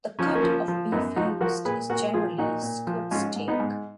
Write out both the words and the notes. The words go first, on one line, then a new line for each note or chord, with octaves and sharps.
The cut of beef used is generally skirt steak.
F3 C#4
D#4
A#3 C#4
F3
F3
F#2 B3 D#4
F3 D#4 F#4
F3 F#4 A#4
A#2 G#4 B4
A#2 F#4 A#4
F3 F4 G#4
A#2 D#4 F#4
A#2
F3
G#2 C#4 F4
G#2
B3 D#4
G#2